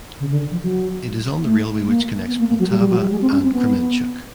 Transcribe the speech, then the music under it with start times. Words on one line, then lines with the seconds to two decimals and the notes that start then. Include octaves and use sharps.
It is on the railway which connects Poltava and Kremenchuk.
0.20 C#3
0.31 D3
0.51 F3
0.62 F#3
1.44 A3
1.87 A#3
2.27 B3
2.39 A#3
2.49 A#3
2.59 F#3
2.70 G3
2.80 G3
2.90 F#3
3.01 G3
3.11 G#3
3.22 C4
3.32 C#4
3.43 C4
3.53 B3